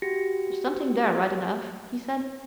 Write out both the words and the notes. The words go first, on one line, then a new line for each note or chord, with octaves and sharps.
"There's something there right enough," he said.
F#4 G4 A#6 C#7